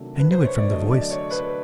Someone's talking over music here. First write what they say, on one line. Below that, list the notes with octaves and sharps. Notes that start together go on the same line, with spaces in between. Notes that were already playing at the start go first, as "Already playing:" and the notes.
I knew it from the voices.
Already playing: C3 D#3 F#3 A3 D4
B4
C5
C#5
D5
D3 F#3 A3 D#5
D5
C#5
B4